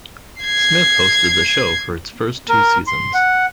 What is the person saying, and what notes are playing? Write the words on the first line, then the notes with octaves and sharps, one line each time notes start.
Smith hosted the show for its first two seasons.
G#6 C7
A#4
C6
F#5